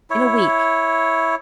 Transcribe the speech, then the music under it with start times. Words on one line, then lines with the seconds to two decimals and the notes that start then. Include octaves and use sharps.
'In a week.
0.10 E4 C#5